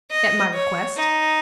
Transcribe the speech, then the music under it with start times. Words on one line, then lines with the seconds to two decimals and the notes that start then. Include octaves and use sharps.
At my request.
0.10 D#5
0.53 C#5
0.97 D#4